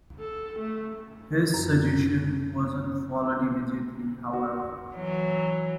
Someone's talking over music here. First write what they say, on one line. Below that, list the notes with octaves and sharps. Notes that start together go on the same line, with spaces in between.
His suggestion wasn't followed immediately, however.
A4
A3
F#2
F#4
E3 F#3